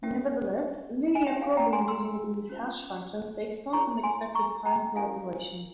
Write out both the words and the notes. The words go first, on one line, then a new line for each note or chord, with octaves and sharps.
Nevertheless, linear probing using these hash functions takes constant expected time per operation.
C#4 G4 A#4 C#5 E5 G5
G#5
C#4 E4 G4 C#5 E5 G5
F5 G#5
G5 A#5
G#5 C6
C6 E6
C#4 F4 C5
E4 G#4 C#5 A#5 C#6
G#5 C6
A#5 C#6
G5 A#5
C#4 E4 G4 A#4 C#5 F5 G#5